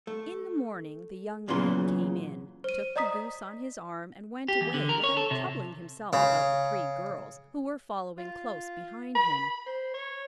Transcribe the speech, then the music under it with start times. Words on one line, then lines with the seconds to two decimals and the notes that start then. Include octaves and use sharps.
In the morning the young man came in, took the goose on his arm, and went away without troubling himself about the three girls, who were following close behind him.
0.07 A3
1.48 E2 A#2 C#3 E3 F#3 C6
2.64 C5 D#7
2.96 D5 D#5 A#5 D#6 B6
4.48 G4
4.61 E2
4.74 D3
4.89 A#4
5.04 C#5
5.17 A4
5.31 C3
6.13 C#3
8.18 F4
9.15 B5
9.66 C5
9.94 C#5